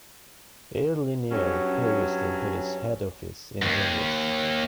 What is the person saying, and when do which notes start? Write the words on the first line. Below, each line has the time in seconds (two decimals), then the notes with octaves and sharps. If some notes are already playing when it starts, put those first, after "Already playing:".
Airlinair previously had its head office in Rungis.
1.31 G2 F#3 C#4
3.62 D#2 G#2